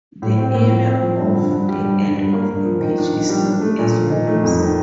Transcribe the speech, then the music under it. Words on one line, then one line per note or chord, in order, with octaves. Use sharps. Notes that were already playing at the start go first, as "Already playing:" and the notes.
The area off the end of the pitch is known as "Worms".
A2
C4
A2
F3
C4
F3
G2
D3
G2
G3
G2
D3
G2
A#3
G2
F3
D#3
D4
D#3
G3
D4
A3
A#2
F3
D#4
A3
F2
D#3